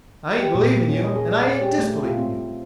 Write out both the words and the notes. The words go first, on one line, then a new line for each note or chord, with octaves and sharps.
I ain't believing you and I ain't disbelieving you.
G4
A#2
A#3
C#4
D#5
G#4
D5
C#4
G4
A3
F4
C4